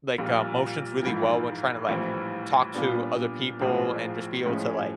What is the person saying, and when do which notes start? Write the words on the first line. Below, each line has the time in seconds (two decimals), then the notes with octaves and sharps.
like, uh, motions really well when tryna, like, talk to other people and just be able to, like
0.18 A#1 A#2 G3
1.03 A#1 G#2 E3
1.89 A#1 A2 E3 G3 C4
2.74 A#2 G3 B3 D4
3.60 A#1 A2 F3 G#3 C4
4.45 A2 F3 G#3 C#4